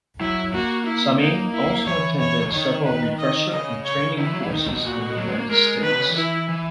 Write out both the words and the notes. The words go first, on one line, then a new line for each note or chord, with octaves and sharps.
Sami also attended several refresher and training courses in the United States.
F#3 E4
A#3 F#4
E4
A#3 D#4
E4
E3 C#5
C#5
C#3
D#3 C#5
B4
D#5
C#3 D#5
C#5
D#3 E4
E3
F#3
E3
D#3 D#4
B2
A#2 F#4
B2
F#3
G#3
A#3
G#3 A#4
D#3 B4
B2
C#3
E3
E4
E3